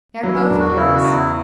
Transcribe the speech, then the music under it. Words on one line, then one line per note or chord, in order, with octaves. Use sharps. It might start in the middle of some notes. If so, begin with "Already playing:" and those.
They are both furious.
F#3 E4
C#4
D4
E1
F#4
C#3 E4
F#4
E2
E4